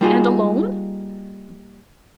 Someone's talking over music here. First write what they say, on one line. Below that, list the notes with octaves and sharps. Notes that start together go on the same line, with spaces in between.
"And alone?"
G3 A#3 D#4 F4 F#4 G#4